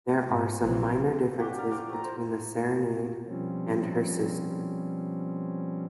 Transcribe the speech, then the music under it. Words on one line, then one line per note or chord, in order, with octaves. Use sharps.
There are some minor differences between the "Serenade" and her sister.
G#2
A#1 C3 E3 F#3 B3 C4
C#4 D4 G4 F#5
D4 A#4 F5
F3 F5 D6
A3 A#5
C5
B2 F3 G3 C4 C#4